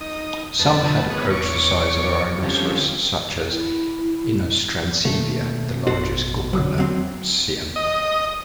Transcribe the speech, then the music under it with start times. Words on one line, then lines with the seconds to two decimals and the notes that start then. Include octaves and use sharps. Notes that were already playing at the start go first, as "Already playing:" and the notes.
Some had approached the size of a rhinoceros, such as "Inostrancevia", the largest gorgonopsian.
0.01 D#4 D#6
0.59 F2 B4 A5
1.10 G#3 B3 B4 C#5 D#6
1.30 E2 C#5 C#6 D6
2.42 D3 F3 G3 C4 C#4
3.50 E4
5.05 B2 D#3 A3 A#3
5.87 A1 F#2 B2 F#4 A4 C5
6.53 D3 F#3
6.78 F#3 C4
7.76 D#5